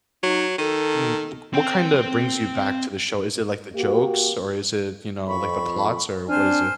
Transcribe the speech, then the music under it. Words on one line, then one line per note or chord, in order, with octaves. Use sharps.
m w what kinda brings you back to the show? Is it like the jokes or is it, you know, like the plots or what is it?
F#3 D#4
D#3 A4
C4 G5
A#3 F#4 G4
F2 B5 C#6
C4 D4 C5 G#5 F6